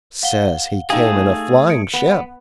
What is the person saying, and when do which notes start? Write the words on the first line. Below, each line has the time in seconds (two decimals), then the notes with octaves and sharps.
Says he came in a flying ship.
0.23 F5 F#5 G7
0.90 A3 D#4 G4 G#4 F5
1.70 C#7 D7
1.94 B3